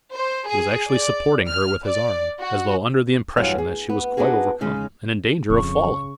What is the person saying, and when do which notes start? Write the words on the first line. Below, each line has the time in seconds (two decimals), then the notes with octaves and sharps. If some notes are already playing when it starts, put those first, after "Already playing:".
He was actually supporting her with his arm, as though under the impression that she was quite overcome, and in danger of falling.
0.12 C5
0.47 G#4
0.89 D5
1.49 F6
1.85 D5
2.40 F#4
3.37 E2 G2 F#3 B3 F4 F5
3.58 G#4
3.89 B3
4.17 B3 D4 D#4 F#4 G#4
4.61 C#3 G#3 D#4
5.50 D1 F2 C#3 C#6